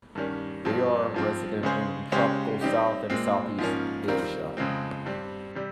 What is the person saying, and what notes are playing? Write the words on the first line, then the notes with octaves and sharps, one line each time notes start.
They are resident in tropical South and Southeast Asia.
G2 D#3 G3 C#4
G2 F3 C4
G2 F3 C4
C#3 G#3 C#4 G#4 C5
C#3 G#3 C#4 G4 C5
G3 C4 D#4 G4
A#2 G#3 C4
G#2 F3 A#3 C#4
D#3 G3 C4 F4 A#4
F2 C#3 G#3 C4
G2 G3 C4
C3 G3